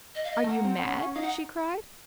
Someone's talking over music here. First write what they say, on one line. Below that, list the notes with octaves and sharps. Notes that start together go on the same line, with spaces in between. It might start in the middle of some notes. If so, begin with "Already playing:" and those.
"Are you mad?" she cried.
D#5
F5
D#5
A3
A#3 F#5
C4
C#4
C#4
D#4 F5
F#5